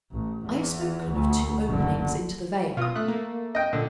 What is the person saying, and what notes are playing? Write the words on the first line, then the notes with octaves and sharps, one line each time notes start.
I have spoken of two openings into the vale.
A1
E2 E3
D2
F#1 D3
B2 F4 D#6
A3 F#6
A#3
D#5 G5
A#2 D3